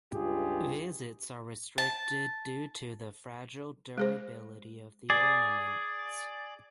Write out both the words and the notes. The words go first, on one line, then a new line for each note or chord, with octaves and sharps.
Visits are restricted due to the fragile durability of the ornaments.
C#2 G2 F4 G4 G#4
A5
G#3 G#4 C5
G#4 D5